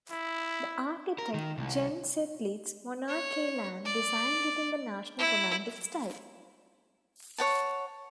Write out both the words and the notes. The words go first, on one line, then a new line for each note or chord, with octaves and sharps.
The architect, Jens Zetlitz Monrad Kielland, designed it in the National Romantic style.
E4
A#4
D#3
C2
C#5
D5
E4
C#5 F#5 A5